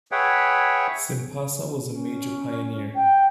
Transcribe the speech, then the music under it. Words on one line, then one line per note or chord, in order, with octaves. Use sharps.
Simpasa was a major pioneer.
G#4 B4 C#5 E5 F#5 G5
C#4
G5